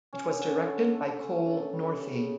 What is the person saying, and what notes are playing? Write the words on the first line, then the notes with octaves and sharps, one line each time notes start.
It was directed by Cole Northey.
C#4
D3
D3
A3
C#4
D3
G3
C#3